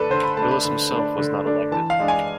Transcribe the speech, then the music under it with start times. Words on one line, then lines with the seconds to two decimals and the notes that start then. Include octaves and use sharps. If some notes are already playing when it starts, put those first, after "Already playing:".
Willis himself was not elected.
Already playing: D3 A3 D4 A4 B4
0.10 D3 C5
0.23 B5
0.37 A3 D4 A5
0.51 B5
0.65 D3
0.91 A3 D4
1.18 D3
1.46 A3 D4
1.72 E3 A5
1.90 F5
1.99 G#3 D4
2.08 G#5